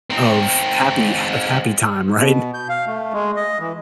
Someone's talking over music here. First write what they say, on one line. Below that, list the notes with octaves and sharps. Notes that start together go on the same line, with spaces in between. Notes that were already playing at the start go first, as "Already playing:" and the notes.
of happy ha of happy time. Right?
C4 D#4
B2
G6
F5
A3
G#3
D#5
E3